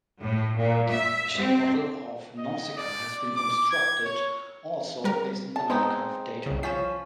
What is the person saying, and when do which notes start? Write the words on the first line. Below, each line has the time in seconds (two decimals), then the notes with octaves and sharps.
A shape model of Nausikaa has been constructed, also based on the lightcurve data.
0.20 A2
0.56 A#2
0.89 E5
1.37 C4
2.38 D#5
2.77 D5
3.36 D6
3.71 G#6
4.05 C#5
5.04 G3 A#4
5.56 A5
5.70 G#3 B3 C4 D#4
6.46 C2 C#3
6.63 F3 C#4 B6 E7